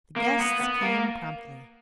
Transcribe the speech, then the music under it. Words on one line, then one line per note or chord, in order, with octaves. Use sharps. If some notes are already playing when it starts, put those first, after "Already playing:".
The guests came promptly.
A#3
B3
B3
A#3